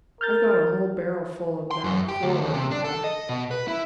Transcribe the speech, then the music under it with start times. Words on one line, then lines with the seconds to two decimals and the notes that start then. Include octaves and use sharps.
"I've got a whole barrel full of that forward, lad."
0.21 A#4 F6 G6 A6
1.71 C6
1.84 F#2
2.09 G4
2.23 D2
2.41 D#2
2.54 C3
2.71 D4
2.85 A4
3.04 D#5
3.29 B2
3.51 B4
3.68 E4